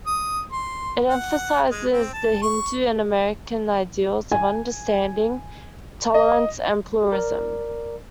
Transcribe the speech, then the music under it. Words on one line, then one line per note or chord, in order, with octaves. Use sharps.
It emphasises the Hindu and American ideals of understanding, tolerance and pluralism.
D#6
C6
F#5
G#3
C4
A5
C#6
G#5
D#5
A#4 D5